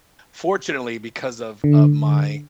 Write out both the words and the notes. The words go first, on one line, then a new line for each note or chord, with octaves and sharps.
fortunately because of of my,
D3